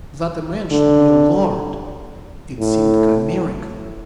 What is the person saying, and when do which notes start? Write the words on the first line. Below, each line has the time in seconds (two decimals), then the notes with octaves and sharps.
That a man should be a lord!--it seemed chimerical.
0.72 D3
2.59 A2